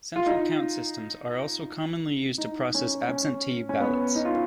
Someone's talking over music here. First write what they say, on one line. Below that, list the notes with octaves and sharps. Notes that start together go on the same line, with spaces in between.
Central count systems are also commonly used to process absentee ballots.
F4
D#4
D#4
C#4
C#4
C#4
B3
D#4
F4